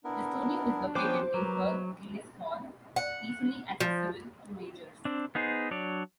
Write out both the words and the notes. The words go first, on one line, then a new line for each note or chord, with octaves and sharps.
The studio is located in Hugh Gillis Hall, easily accessible to majors.
B3 D4 E4 A#4
F3 B3 C#4 B4 C5 G5 D6
F#3 A#4 B4
F#5
F3
C4 D4
B3 D#4 G#4 C5
F#3 D4 C#5 D5